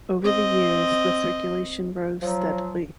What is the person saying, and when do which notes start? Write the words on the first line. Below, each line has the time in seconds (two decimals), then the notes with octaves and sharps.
Over the years the circulation rose steadily.
0.23 C4 D#5
2.21 F3 F#3